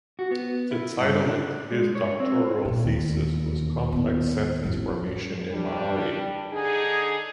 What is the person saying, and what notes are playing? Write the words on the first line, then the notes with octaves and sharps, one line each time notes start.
The title of his doctoral thesis was "Complex sentence formation in Maori".
F#4
B3
E4
G2
D4
G#3
C#5
C4
E2 A#2
D#2
A2 B3
A1 F2
G3 D4
D3 D#4 G#4